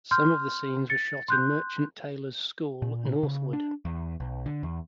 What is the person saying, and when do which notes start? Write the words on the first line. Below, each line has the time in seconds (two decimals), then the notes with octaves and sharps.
Some of the scenes were shot in Merchant Taylors School, Northwood.
0.11 C6 F6 G6
0.90 A6 C#7
1.28 C6 F#6 G6
2.82 A#2
3.23 C#3
3.53 D4
3.85 E2
4.20 B1
4.46 D3
4.63 E2